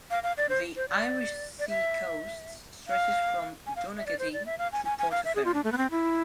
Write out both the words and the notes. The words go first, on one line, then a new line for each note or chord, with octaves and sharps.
The Irish Sea coast stretches from Donaghadee to Portaferry.
F5
F5
D5
C5
C5
D5
D5
E5
F5
G#5
F5
E5
D5
C5
D5
E5
F5
G#5
G#5
G#5
F5
E5
G#4
F4
D4
A3
B3
C4
E4